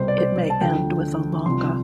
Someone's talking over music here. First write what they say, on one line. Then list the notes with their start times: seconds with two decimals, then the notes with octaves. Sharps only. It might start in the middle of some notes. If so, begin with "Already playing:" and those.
It may end with a "longa".
Already playing: C2 B2 G3 C5
0.08 D5
0.18 C5
0.50 A5
0.61 D2 D3 F3 G5
1.46 C2 C3 F3 C6